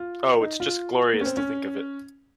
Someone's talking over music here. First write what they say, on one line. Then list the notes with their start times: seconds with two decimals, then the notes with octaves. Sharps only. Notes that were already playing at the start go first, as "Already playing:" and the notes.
Oh, it’s just glorious to think of it.
Already playing: F4
0.41 D#4
0.60 F4
1.13 A#3
1.21 C#4
1.25 C4
1.37 C#4